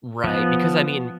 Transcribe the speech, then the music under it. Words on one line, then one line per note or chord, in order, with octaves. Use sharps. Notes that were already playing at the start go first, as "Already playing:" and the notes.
Right, because, I mean,
F3 B3